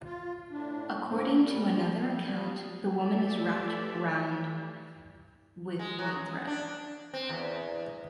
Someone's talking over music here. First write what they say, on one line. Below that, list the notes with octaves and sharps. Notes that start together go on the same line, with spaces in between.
According to another account, the woman is wrapped round with white thread.
F4
A2 D4
D3 A#3 C4
G3
G3
E3 A3 G4 A4 D5 E5
G#3
F#3
F#2
D4
C4
E2